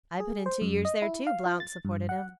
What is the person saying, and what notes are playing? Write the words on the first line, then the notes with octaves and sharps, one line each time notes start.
"I put in two years there, too," Blount supported him.
G#4
C5
F#2
D#5
E4
F5
F4
A6
G2
F#5